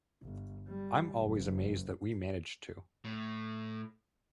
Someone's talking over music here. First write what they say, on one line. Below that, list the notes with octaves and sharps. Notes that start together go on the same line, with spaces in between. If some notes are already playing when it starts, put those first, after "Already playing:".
I'm always amazed that we managed to.
G1
G3
F#1
A2